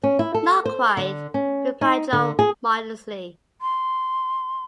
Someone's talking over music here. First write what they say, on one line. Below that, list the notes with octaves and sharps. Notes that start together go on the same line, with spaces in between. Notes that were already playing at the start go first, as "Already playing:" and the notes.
"Not quite," replied Jo modestly.
C#4
E4
A4
C5
D3
C#4
D#4
D3
G#4
C6